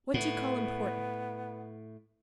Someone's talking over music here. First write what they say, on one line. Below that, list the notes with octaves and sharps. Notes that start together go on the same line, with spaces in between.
"What do you call important?"
A2 B3